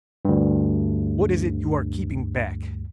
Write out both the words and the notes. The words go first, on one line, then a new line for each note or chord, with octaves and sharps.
What is it you are keeping back?
D2 G2